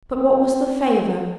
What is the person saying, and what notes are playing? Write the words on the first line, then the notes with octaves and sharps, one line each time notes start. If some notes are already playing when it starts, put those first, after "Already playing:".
But what was the favour?
C4